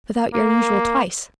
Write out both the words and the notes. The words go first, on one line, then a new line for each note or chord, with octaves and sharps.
"Without your usual twice."
A#3